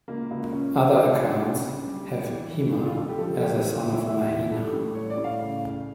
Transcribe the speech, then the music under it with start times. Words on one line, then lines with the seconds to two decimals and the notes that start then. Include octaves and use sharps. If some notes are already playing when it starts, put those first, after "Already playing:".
Other accounts have Hema as a son of Mahina.
0.08 C#2 A#3
0.31 C#2
0.52 C#2 C#4
0.75 C#3
0.96 C#2 D4
1.19 G3
1.42 C#3
1.64 C#3
1.85 G3
2.07 G3
2.29 E3
2.51 E3
2.74 C#2 D4
2.86 F4
2.96 C#2 A4
3.08 G4
3.18 F3 A4
3.35 A4
3.40 C#2 G4
3.62 E3
3.77 E4
3.84 E2
3.93 E4
4.07 G3 E4
4.28 E3
4.51 G3 A4
4.73 A2
4.95 G3 C#5
5.10 D5
5.17 A2
5.24 F5
5.40 C#3
5.62 C#3